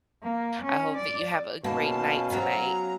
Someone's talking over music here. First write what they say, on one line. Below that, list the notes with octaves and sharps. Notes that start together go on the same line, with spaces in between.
I hope that you have a great night tonight.
A#3
C#4
D5
B2 A#3 C#4 F5 A5
F#3 B3 A#5